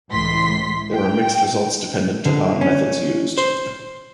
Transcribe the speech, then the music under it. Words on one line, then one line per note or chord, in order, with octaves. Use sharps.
There were mixed results dependent upon methods used.
C#2 A2 E3 C6 B6
G5
D3
C#4
C5